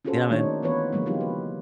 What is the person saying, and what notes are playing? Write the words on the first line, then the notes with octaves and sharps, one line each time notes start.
Yeah man.
C#4 F4 F#4 G#4 A4 C5
D#3 A3 A#3 D4 D#4 C#5
E3 B3 F4 B4 C#5
C#3 E3 F3 G3 G#3 A#3
F#3 G#3 C4 D#4 F4 G4
B4